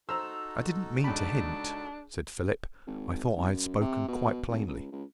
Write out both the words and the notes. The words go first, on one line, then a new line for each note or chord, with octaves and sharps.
"I did not mean to hint," said Philip; "I thought I had spoken quite plainly."
D#4 F#4 A4 C5 A#5 E6
C#2 D4 B5
G#1
C2
F#2
C3
B2
G#1
C#2
C#2